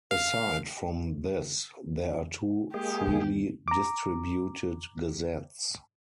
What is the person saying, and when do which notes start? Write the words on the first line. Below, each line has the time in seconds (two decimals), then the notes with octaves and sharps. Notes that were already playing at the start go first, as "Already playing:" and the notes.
Aside from this there are two freely distributed gazettes.
0.11 F5
2.74 G#3 A#3 G4 G#4
3.07 E2 D#3
3.68 A#5 D6